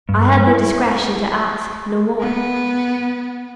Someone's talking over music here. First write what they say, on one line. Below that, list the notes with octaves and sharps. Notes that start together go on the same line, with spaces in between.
I had the discretion to ask no more.
G2
E4
B3